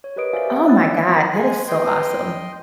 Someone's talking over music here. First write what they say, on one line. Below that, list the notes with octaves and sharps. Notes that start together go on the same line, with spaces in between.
Oh my God, that is so awesome.
C#5
G4 A#4 B4 D#5 D#6 D7
F#4 C5 D5 E5 F5 G#5
G4 F#5
C#5 D#6 F#6 A6
D5 D#5 G5 E6 A6
G#3 G#4 G#5
B4 D#5 G5 C6